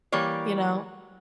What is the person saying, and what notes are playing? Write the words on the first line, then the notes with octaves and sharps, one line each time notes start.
you know?
E3 G3 A#3 C#5